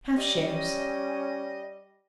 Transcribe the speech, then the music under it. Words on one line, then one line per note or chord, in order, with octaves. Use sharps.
"Half shares."
G3 C#4 D#5